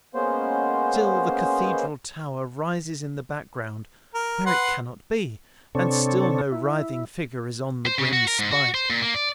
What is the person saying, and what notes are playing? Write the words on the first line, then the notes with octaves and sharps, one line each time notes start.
Still the Cathedral Tower rises in the background, where it cannot be, and still no writhing figure is on the grim spike.
G#3 A#3 B3 C#4 C5
A#4
B4 F#5 C6
C3 C4 D4 A4 C#5
E4
C5
C#3
F#4
A#4
G#2
F#4
C5
A#2
A#3
D5